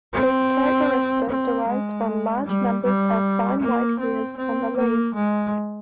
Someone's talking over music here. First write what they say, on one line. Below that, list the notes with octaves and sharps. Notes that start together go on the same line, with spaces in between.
This characteristic derives from large numbers of fine white hairs on the leaves.
C4
C4
G#3
G3
G3
A#3
C4
C4
A#3
G#3